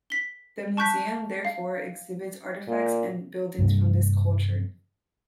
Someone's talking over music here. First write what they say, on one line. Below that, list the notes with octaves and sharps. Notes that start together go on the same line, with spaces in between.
The museum, therefore, exhibit artifacts and buildings from this culture.
B6 G7
A5 C#6 F#6 G6 B6
F5
A#2
G2 C3 G3 D4